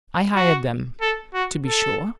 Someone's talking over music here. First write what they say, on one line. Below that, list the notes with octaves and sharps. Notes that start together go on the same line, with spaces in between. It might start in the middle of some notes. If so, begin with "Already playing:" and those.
I hired them, to be sure.
F#4
A4
F#4
A4